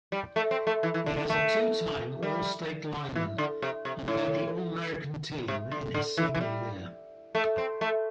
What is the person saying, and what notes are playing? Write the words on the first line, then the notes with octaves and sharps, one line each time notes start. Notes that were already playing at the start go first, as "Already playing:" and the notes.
He was a two-time all-state lineman, and made the All-America team his senior year.
G3
A3
C4
A3
E3
E3
D3
D3
A3
G3
E3
D3
C3
C3
A2
C3
D3
D3
E3
E3
G3
A3
C4
A3